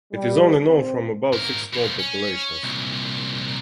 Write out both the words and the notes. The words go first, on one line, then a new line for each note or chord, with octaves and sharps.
It is only known from about six small populations.
G3
C4
G#2 A#4
B2 F3
C#4
C2 A#2